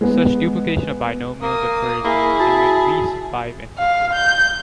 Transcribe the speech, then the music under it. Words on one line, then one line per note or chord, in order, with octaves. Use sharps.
Such duplication of binomials occurs in at least five instances.
G#3 B3
A#3 D#6
A#3 E4 G#4
F#4 A5
F5
G6